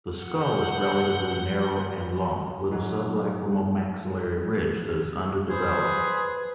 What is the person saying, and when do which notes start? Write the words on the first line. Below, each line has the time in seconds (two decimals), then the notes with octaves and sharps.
The skull is relatively narrow and long, with a sublacrimal-maxillary ridge that is underdeveloped.
0.21 F#5 G6
2.71 G#2 F#3
5.49 G#4 B4 C5